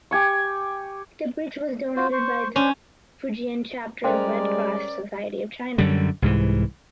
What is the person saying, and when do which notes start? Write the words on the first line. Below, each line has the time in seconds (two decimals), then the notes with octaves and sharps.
The bridge was donated by the Fujian chapter of Red Cross Society of China.
0.11 G4 G#5 C#6
1.96 F4 F#4 C5
2.12 C5 C#6
2.56 C#4 D4 C5 C#5
4.04 G3 G#3 C#4 A#4 C5 D5 G5 C6
5.78 F#2 D3 G3
6.22 C2 G#2 E3